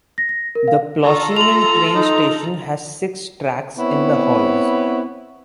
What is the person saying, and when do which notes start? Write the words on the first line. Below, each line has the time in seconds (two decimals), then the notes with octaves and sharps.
The Plochingen train station has six tracks in the halls.
0.18 A#6
0.29 A#6
0.55 A#4
0.68 F5
1.03 F4 A4 A#5 C#6
1.36 C6 F7 F#7
1.95 D#4
3.77 B3 C4 E4 C#5